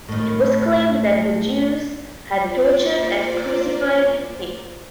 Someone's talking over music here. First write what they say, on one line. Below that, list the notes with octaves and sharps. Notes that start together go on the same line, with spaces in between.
It was claimed that the Jews had tortured and crucified him.
A2 D#3
A#3 F4 C5 D5